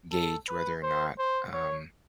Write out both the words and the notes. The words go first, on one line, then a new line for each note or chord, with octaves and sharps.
gauge whether or not, um,
A4
B4
C5
C5
C#5